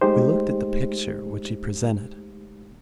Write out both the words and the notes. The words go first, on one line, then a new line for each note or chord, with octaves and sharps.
We looked at the picture which he presented.
G#3 A3 D#4 G4 C5